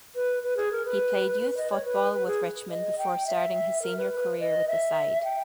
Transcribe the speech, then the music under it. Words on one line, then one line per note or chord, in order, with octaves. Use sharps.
He played youth football with Richmond before starting his senior career with the side.
B4
B4
G#4
A#4
B4
D#5
C#5
B4
B4
G#4
D#5
G5
E5
A#4
B4
B4
D#5
E5
G5